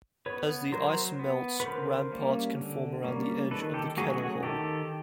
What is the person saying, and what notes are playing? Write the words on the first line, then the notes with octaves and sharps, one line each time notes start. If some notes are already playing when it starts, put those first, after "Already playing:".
As the ice melts, ramparts can form around the edge of the kettle hole.
B3 B4 C#5
F#3 A#4 C5
B3
B4
D3 A#4 C5
G3 A#3 C#4
D3
G3 A#3 C#4
D#3 A4 B4
G4 A4
F#3 A3 C#4 F#4 G#4
F#4 G#4
D#3 G4 A4